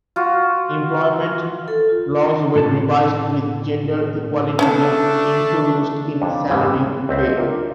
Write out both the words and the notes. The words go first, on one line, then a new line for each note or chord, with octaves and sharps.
Employment laws were revised with gender equality being introduced in salary pay.
F4 F#4
A4
F4
A2 A5
A3 C#4 D4 E4 A4
F2 D4 C#5
D#2 G#2 E3 G3 G#3
G5
C#2 C4 E5
D4 F4 A#4 D#5 E5